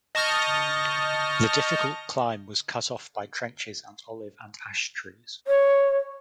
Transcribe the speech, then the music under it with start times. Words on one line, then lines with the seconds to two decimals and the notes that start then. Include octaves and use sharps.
The difficult climb was cut off by trenches and olive and ash trees.
0.15 D#5 A5 C#6 F6 G6 A#6
5.47 C#5